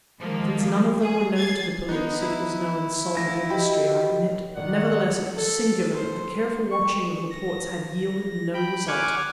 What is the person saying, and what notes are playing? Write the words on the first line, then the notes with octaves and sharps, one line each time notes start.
Since none of them were known to the police, it was no insoluble mystery, I admit; but nevertheless it was singular that the careful watching of the ports had yielded no result.
D#3 F3 G#3 A#3
G#4
G#6 A6 C7
B3 D#4 F#6
E4
D2 F5 A#6
F#4 G4 D#5 G5 B5
D#3 D5 F#5
A4
C5
C#6
A#6
G5 B5
F#5 G#5 C#6 D6 F6 G#6